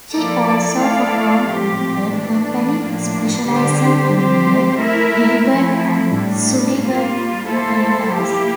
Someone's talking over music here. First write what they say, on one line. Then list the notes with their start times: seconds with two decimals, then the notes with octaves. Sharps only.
She also performed with a company specializing in the Gilbert and Sullivan operettas.
0.13 F3 A#3 E4 A4 D5
0.81 A3 E4 A4 D5 F5
1.47 A2 F3 C4 G4
2.13 E3 A3 D4
2.81 A2 F3 A#3 D4
3.47 D3 G3 D4 G4 C5
4.14 F3 C4 G4 C5
4.81 A3 E4 A#4 E5
5.47 F3 A3 C4 E4
6.14 A2 G3 D4
6.81 G3 A#3 F4
7.47 A#3 E4 A4 C5
8.14 A#3 E4 G4